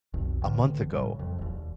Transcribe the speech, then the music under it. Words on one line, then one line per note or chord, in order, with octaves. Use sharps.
a month ago,
B1 F2
A1 D3
A2 C#3 G3
F2
E1 D#2